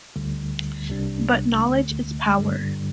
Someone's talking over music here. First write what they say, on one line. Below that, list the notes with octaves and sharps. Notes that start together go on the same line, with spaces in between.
But knowledge is power.
D2 D3 G3
C2 C3 G3 D4
D2 D3 A3
G2 D3 G3